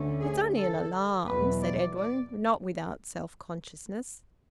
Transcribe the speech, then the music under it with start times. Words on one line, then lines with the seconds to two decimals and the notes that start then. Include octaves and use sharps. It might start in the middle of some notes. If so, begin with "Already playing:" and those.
"It's only an alarm," said Edwin, not without self-consciousness.
Already playing: D2 D3 A3 C#4
0.22 G#4
0.57 A4
1.27 E2 B2 F#3 B4
1.62 D5
1.96 D5